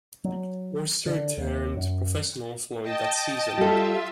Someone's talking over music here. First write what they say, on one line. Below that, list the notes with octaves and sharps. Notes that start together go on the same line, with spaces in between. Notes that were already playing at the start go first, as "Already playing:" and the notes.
Orser turned professional following that season.
F#3
D3
D#2
F#2
D#5 G5 A5
G3 F4 A4 E5 E6